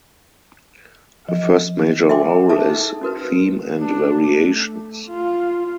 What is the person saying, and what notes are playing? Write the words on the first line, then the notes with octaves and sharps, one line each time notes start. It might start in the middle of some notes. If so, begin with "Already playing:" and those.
Her first major role is "Theme and Variations".
F3
E5 G5 G#5 C6 D6
D4 G#4 A4 E5 A5 D6
D#4
C#4 F#4 A#4 B4
D4
A3
F4